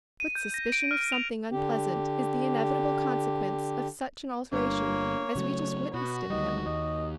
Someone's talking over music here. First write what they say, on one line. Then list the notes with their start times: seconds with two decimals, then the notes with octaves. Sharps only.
But suspicion of something unpleasant is the inevitable consequence of such an alteration as we just witnessed in him.
0.20 D#7
0.35 G6
0.54 A#6
0.72 D7
0.91 F6
1.12 F7
1.51 D3 G4
4.53 G1 G3 A#3 D4 C#5
5.36 C#3 F#3 A3
5.94 B2 B3 F#4
6.30 D2 D#3 G3 D#5
6.66 D#2 D#5